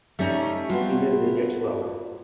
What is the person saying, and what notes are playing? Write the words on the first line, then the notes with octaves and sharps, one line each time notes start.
He lives in Eschweiler.
G3 A3 C#4 D#4 E5 A#5
G3 B3 C4 F4 F#4